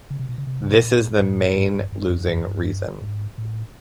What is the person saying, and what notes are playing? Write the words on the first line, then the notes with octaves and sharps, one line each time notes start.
This is the main losing reason.
C#3
C3
B2
C#3
C3
C#3
C3
B2
A#2
A2
G#2
G2
G2
F2
F2
F#2
G2
G#2
A2